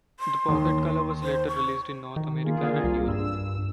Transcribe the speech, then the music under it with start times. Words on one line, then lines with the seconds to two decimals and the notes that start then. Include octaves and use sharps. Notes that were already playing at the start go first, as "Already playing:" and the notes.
The Pocket Color was later released in North America and Europe.
0.20 C6
0.48 D#2
1.23 C5
1.48 C#6
2.16 D#3
2.44 A#3 F4 G#4
2.63 D3
2.84 C2
3.08 G2 E6